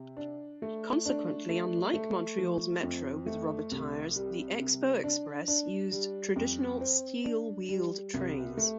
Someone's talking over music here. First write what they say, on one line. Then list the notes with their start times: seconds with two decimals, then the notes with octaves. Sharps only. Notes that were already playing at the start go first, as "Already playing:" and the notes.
Consequently, unlike Montreal's Metro with rubber tires, the Expo Express used traditional steel-wheeled trains.
Already playing: C3
0.17 D4
0.62 A3
1.06 D4
1.49 A3
1.94 A3
2.38 F3
2.83 F2
3.26 A3
3.72 C2
4.16 G3
4.60 C3
5.04 D4
5.48 D4
5.92 G3
6.36 F2
6.81 C4
7.24 D4
7.69 G3
8.14 C2
8.57 A3